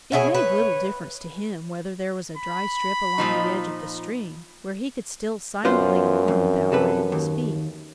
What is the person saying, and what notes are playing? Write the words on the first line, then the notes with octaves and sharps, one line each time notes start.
It made little difference to him whether there was a dry strip along the edge of the stream, where he could steal silently along without wetting his feet.
B2 E4 G#4 C#5
B4
B5
A#2 F3 D#4
F#2 B3 F4 C5
F2
C3 A4 B4
D#2